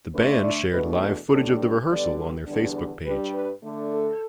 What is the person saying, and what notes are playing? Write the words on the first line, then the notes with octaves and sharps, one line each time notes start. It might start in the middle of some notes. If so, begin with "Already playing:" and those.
The band shared live footage of the rehearsal on their Facebook page.
D3 A3 D4 B4
D5
E2 B2 A3 D4 B4
B4
A2 G3 D4 A4
B4
D3 G3 B3 D5
E2 D3 G3 B3 D4
B4
G2 G3 D4 B4
B4
D3 A3 D4
A4